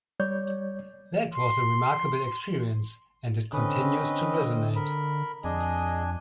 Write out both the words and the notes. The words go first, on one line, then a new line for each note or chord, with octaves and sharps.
That was a remarkable experience-and it continues to resonate.
G3 C#5 D5 G6
C6
D3 C4 C#4 B4 D#5
A#4 B5
F2 D4 G#4 D#5 G#5